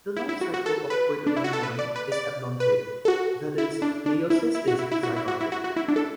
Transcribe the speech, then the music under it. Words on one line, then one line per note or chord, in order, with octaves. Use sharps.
The life cycle of "Oedogonium" is haplontic, that is, meiosis is zygotic.
E4
E4
F#4
F#4
A4
B4
D4
E4
F#4
A4
B4
D5
B4
D5
B4
A4
F#4
E4
D4
D4
E4
E4
F#4
E4
E4
F#4
E4
F#4
E4
F#4
F#4
E4
D4
A4